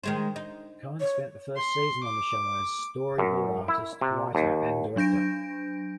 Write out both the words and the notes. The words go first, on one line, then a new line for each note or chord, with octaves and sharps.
Cohen spent the first season on the show as storyboard artist, writer, and director.
D#3 G#3 C5
D#4
C#5
C6
D6
F#2
E4
C3
D#2
F#3 D4 G6 A#6 D7